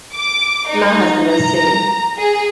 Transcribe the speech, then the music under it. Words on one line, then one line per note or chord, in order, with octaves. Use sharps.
My husband does too.
D6
D#4
A#5
G#4